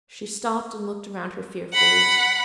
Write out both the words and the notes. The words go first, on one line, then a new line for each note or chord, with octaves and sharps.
She stopped and looked around her fearfully.
F#5 B5